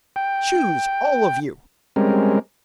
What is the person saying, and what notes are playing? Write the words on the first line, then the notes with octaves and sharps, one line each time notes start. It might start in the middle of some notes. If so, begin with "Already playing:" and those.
"Choose, all of you!"
G5
G3 G#3 C4 C#4 A#4